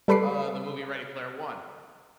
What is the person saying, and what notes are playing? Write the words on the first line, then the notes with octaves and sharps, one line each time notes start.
Uh, the movie, Ready Player One.
G3 A4 B4 B5 D6 C7